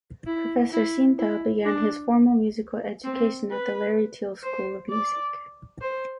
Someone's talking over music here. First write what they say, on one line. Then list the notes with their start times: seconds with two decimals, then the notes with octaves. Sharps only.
Professor Sinta began his formal musical education at the Larry Teal School of Music.
0.27 E4
0.73 E4
1.19 E4
1.66 D4
3.04 C4
3.50 B4
4.43 C5
4.89 D5
5.81 C5